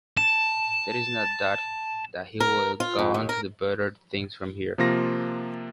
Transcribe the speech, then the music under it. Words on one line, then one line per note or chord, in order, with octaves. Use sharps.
There is no doubt that he will go on to better things from here.
A5 E7
A#4
F4
F2
D#2
A#4
C3 F3 A#3 F4 A#6